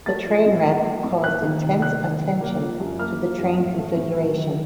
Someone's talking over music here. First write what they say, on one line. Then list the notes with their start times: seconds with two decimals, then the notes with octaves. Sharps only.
The train wreck caused intense attention to the train configuration.
0.06 A3 A6
0.26 F3
0.46 A2
0.65 A#3
0.85 F#3
1.04 A2
1.24 A#3 F#6
1.43 D#3
1.63 C3
1.82 A#3 F#6
2.02 D#3
2.22 C3
2.41 A#3
2.61 F3
2.80 F#2
2.99 A#3 F6
3.19 F3
3.38 F#2
3.58 A2
3.78 A3
3.97 A2
4.17 F#3
4.36 D#3